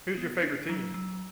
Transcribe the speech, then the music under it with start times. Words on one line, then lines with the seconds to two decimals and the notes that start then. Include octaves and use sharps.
Who's your favorite team?
0.18 B3
0.43 D4
0.69 F#3
0.94 F#3